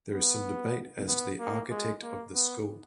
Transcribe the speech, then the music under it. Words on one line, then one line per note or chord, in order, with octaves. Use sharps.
There is some debate as to the architect of the school.
B3
B3
A#3
G#3
A#3
B3